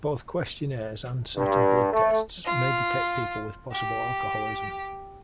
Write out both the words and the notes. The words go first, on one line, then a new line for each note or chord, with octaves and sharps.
Both questionnaires and certain blood tests may detect people with possible alcoholism.
G2
A3
F4
G4